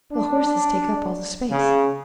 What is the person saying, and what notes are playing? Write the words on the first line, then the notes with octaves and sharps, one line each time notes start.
"The horses take up all the space."
D4
C#3